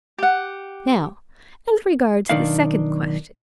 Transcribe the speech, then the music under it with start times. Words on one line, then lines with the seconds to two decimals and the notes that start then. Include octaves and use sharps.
"Now as regards the second question."
0.18 G4 F#5
2.29 B1 D#3 D4 F5